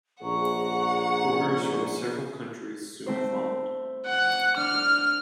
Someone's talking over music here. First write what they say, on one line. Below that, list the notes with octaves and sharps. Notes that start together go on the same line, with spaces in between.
Orders from several countries soon followed.
A#1 D3 C#4 G#4 F#5 A#5 C#6
A3 C4 C5
F#5
D4 F6